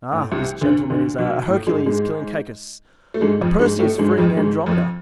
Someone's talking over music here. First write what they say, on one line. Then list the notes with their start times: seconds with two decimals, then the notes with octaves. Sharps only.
"Ah, this gentleman is a Hercules killing Cacus, a Perseus freeing Andromeda."
0.12 A2
0.32 C2 C3
0.61 D2 D3
0.90 D2 D3
1.18 B1 B2
1.48 A2
1.67 G#2 G#3
1.86 G#2 G#3
3.14 A3
3.21 G#2 G#3
3.41 F2 F3
3.60 G#2 G#3
3.79 A2 A3
3.98 G#2 G#3
4.11 G#3
4.18 F2 F3
4.37 G#2 G#3
4.66 F2 F3